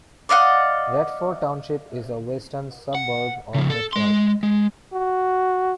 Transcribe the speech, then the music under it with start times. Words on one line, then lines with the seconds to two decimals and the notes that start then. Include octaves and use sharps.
Redford Township is a western suburb of Detroit.
0.29 D5 D#5 F5 F#5
2.95 F#5
3.55 C#3 F3
3.70 A4
3.93 G#3 C6
4.43 G#3
4.94 F#4